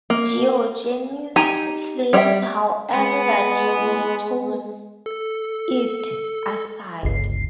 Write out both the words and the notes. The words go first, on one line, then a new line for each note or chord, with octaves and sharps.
Diogenes claims however that he tossed it aside.
A#3
D#4 G4 G#5 A#5
G3 C#5 D5 E5 G5
G#3 B3
A4
G1 C#2 C7